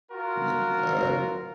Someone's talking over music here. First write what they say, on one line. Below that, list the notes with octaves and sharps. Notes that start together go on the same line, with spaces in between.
Y uh,
F4 F#4 A#4